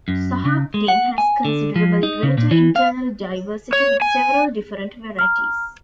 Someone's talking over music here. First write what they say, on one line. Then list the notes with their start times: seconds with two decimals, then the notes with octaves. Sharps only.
Sahaptin has considerably greater internal diversity with several different varieties.
0.08 F#2
0.45 C#3
0.74 G#3
0.88 F#5
1.18 G#5
1.45 D3
1.76 F3
2.03 D#4
2.23 C#3
2.38 A#2
2.51 E3
2.76 F5
3.73 C#5
4.02 G#5
5.19 A#5 F6